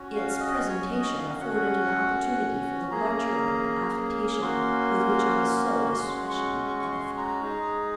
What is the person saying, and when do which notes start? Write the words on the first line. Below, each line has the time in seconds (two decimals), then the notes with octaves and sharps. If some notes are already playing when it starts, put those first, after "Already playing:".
Its presentation afforded an opportunity for the lecture upon affectation with which I was so especially edified.
Already playing: C#4 F#4
0.15 F5
0.40 D#5
0.65 C#5
0.91 D#5
1.15 F5
1.40 C#4 F#4 F#5
2.91 A#3 C#4 G#4 A#5
4.42 A#3 C#4 F#4 C6
5.92 G#3 C#4 F#4 C6
6.29 C#6
6.67 C#6
6.81 C#6
6.92 C6
7.17 A#5
7.42 G#3 D#4 G#4